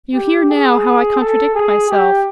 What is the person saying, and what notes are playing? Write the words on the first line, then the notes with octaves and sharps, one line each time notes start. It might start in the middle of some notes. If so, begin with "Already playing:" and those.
You hear now how I contradict myself.
G4
G#4
A4
G#4
G4